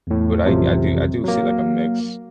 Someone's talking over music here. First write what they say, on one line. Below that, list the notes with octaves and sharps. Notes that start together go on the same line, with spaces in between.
But, I I do I do see, like, a mix.
E2 A2
A1 F2 C3 F3 F#3
F#3 A#3